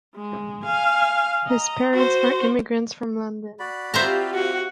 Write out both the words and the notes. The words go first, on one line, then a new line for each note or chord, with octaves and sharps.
His parents are immigrants from London.
G#3
F5 G#5
D#5 A#5
F#4 C5
F#4 D5 B5
C4 F4 G4 C5 E5 A#5
F#4